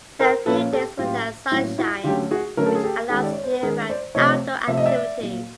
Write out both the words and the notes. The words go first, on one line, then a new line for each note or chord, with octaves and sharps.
There are few days without sunshine, which allows year-round outdoor activities.
A#4 C5
A#2 F3 A#3 C#4 A4 B4
G4 A4
A2 F#3 A#3 C#4 F4 G4
A2 F#3 A#3 C#4 E4 F#4
E4 F#4
D3 F#3 A3 C#4 F4 G4
F#4 G#4
D3 F#3 A3 C#4 A#4
A4
G#4
G4 A4
D#3 G#3 C#4 G4 A4
D5
C#5
C5
B4
D#3 G#3 C#4 G#4 A#4
C5 D5
C3 F3 A3 C4 C#5 D#5
C3 F3 A3 C4 E5
D#5
D5 E5
A#2 F#3 A#3